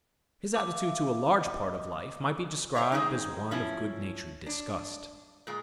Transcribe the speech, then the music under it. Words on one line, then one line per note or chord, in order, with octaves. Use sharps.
His attitude to a large part of life might be described as one of good-natured disgust.
E5 F5 C6 D6
D#5
C5 C#5 E5
D#3 G#3 C4 D#4
F3 C#4 E4
D4
A#2 G#3